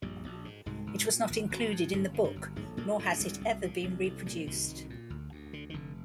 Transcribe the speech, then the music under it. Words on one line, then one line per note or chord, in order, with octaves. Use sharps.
It was not included in the book, nor has it ever been reproduced.
A#1 G2 G3
A#1
G#2
C2 G#2 G#3
C2
A#2
G#1
G#1
G#2
G1 G#2 G#3
D3
G2 G3
G1
A#1 G#2 G#3
A#1 A#2 A#3
G#2 D3
C2
C2
A#2
C2
C2
A#2 G3
F3
C2 D#3
C2
A#2
D2
D2
D3
D#3
F1 D3